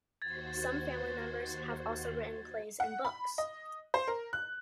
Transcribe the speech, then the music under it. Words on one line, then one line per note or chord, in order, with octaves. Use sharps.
Some family members have also written plays and books.
D#2 F#4 C5 G#6 A6
F#5
B5
D#5
C5
A#4
F#6